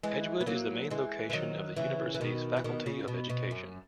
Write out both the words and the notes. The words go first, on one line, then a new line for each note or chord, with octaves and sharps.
Edgewood is the main location of the university's Faculty of Education.
E3 G#3
B3
F#3 A#3
E3 G#3
E3
D#3 F#3
C#3 E3
E3
B2 D#3
E3
B2 D#3
C#3
B2
B2
F#2